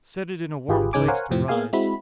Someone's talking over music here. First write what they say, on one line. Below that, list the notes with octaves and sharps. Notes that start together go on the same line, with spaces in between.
Set it in a warm place to rise.
G#1 F4 G4 G#4 B4
C#2 G#2 G#3 C#4 G#5 D6
A#4 C5 C#5 F5 F#5 G#5
F2 A2 C3 F3 C4
A#3 B3 G#4 F5 G#5
G#3 C4 E4 F#4 B5